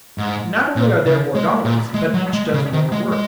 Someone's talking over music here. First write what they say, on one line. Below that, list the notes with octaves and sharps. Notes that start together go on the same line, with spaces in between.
Not only are there more dollars, but each does more work.
G#2
A#2
C#3
G#3
A#2
G#3
F#3
G#3
C#3
D#3
G#3
G#3